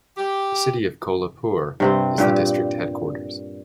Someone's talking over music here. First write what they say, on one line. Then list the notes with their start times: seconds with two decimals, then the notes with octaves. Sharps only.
The city of Kolhapur is the district headquarters.
0.17 G4
1.80 G2 C3 C4
2.18 G2 A#2 G4